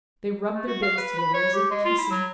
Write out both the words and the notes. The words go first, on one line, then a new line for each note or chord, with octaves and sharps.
They rubbed their bills together as if kissing.
A3
F#4
F5
B4
B5
C#5
G4
G#3
F4
E4
F#3